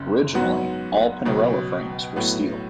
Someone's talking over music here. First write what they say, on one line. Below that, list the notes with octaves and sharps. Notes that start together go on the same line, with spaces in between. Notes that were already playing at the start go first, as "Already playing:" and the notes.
Originally, all Pinarello frames were steel.
Already playing: F#1 F#2 C#3
G#2 F#3 B3 F#4
C#2 B2 F#3
A2 F#3 B3